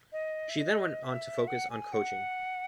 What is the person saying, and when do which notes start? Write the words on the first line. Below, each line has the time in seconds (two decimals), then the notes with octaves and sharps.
She then went on to focus on coaching.
0.12 D#5
0.49 E5
0.58 D#5
1.03 E5
1.48 F#5
1.70 G#5
1.93 F#5